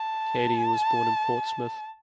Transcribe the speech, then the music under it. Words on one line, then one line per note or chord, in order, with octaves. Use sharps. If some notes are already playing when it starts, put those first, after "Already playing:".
Katy was born in Portsmouth.
Already playing: A5